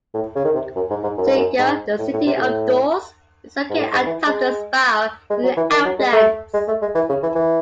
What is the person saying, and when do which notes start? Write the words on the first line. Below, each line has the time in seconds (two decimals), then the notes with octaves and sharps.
"Sigil", the "City of Doors", is located atop the "Spire" in the Outlands.
0.14 A2
0.35 C#3
0.44 D#3
0.55 C3
0.75 F#2
0.90 G#2
1.03 G#2
1.18 F#2
1.27 G#2
1.36 F#2
1.58 G#2
1.99 A2
2.13 A2
2.27 C3
2.37 C3
2.40 A2
3.70 G#2
3.78 A2
3.93 G#2
4.06 E3
4.27 G#3
5.30 G#3
5.43 F#3
5.57 E3
5.71 D#3
5.85 F#3
5.99 G#3
6.13 A3
6.54 G#3
6.68 A3
6.81 G#3
6.95 E3
7.09 C#3
7.23 E3
7.35 E3